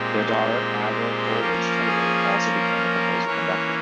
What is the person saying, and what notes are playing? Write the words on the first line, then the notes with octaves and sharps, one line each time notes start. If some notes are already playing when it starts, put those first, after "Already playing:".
Their daughter Avril Coleridge-Taylor also became a composer-conductor.
Already playing: A#2 G#3 C4 G4
F3 A#3 C#4 A#4
G#4
A#4
E3 A#3 C#4 C#5